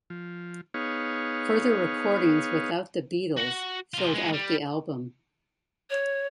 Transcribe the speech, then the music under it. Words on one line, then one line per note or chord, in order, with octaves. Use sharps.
Further recordings without the Beatles filled out the album.
F3
B3 D#4 G#4 C#5 F5
F#4 F#5
C3 F4
G#3 B3
G3
C#5